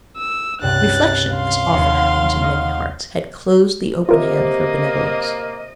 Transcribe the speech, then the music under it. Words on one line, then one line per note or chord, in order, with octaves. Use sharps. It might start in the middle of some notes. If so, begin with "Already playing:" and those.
Reflection, as often happens in many hearts, had closed the open hand of her benevolence.
E6
C#2 G2 C3 F#6 A6
F5 C6
D#2 F#5 C7
D#5 F#5 F6
C3 A#3 F4 A#4 D#5